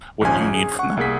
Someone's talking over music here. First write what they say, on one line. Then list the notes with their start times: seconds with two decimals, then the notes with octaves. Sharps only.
what you need from them.
0.21 A#1 D#2 G#2 F3 C#4 G#5
0.54 G#4
0.79 F#5 C#6
0.97 C2 A#3 G#4 B6